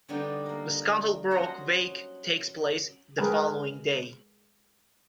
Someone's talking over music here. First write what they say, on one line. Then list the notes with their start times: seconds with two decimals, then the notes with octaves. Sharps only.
The Scuttlebrook Wake takes place the following day.
0.08 D3 G3 B3 D4 D#4 G4
0.46 A#3 A#4
1.30 F#3 C#4 F#4 C5 D#5 F#5
3.18 G#3 G#4 A#4 B4 G5 G#5